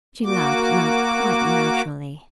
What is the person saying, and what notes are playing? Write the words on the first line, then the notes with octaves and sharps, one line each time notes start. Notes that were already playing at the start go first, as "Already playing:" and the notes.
She laughed, not quite naturally.
A#3 F#4 D6